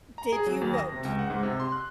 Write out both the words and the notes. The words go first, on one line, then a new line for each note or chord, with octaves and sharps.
"Did you vote?
A#5
G#4
F#3
D#2
A#6
C3
C#2
F#5
G#2
C3
C6
F#6